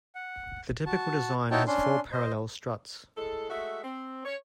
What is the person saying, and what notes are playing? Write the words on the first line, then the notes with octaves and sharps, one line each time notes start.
The typical design has four parallel struts.
F#5
F#4 A5
D#4 E4 F#4 C#5 G5 A5
C#4 D4 C6
C5 D#5
A2 G#3 A4
G#3 A3 F#4 E5
C4
C#5